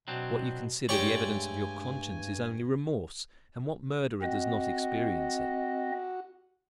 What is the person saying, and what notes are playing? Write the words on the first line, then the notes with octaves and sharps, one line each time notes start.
What you consider the evidence of your conscience is only remorse; and what murderer does not experience it?
B2 F#3 C4 D4
G2 G#3 A3 G4 C#5 D5 G#5 C#6
C4 F#4 D#5